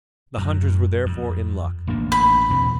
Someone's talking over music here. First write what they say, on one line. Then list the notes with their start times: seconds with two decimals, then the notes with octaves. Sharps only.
The hunters were therefore in luck.
0.38 F#2
1.06 F2
1.87 A1 A#3 D4
2.12 B5
2.50 E2 B2 C4